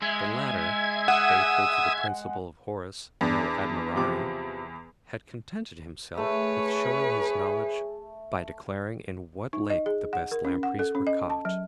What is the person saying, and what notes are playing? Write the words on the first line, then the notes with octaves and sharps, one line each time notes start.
The latter, faithful to the principle of Horace, nil admirari, had contented himself with showing his knowledge by declaring in what lake the best lampreys were caught.
G#3 E5 G#6
F#5 D#6 E6
E2 D4
C3 F3 D6
A3 G#4 B4 C#5
D#4
D#5
G#4
F#5
A#4
C#4
F#5
A4
C#4
D#5
A5
F#3